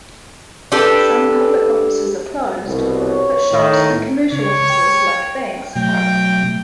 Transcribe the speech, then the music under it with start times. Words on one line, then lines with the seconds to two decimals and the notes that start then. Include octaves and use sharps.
Some public offices are closed, but shops and commercial offices like banks are open.
0.72 D4 G4 A4 B4
2.65 C2 B2
3.00 C#5
3.52 A2 D#3
4.32 C#3 C#5
4.70 G5
5.75 B2 F#3 A3 G5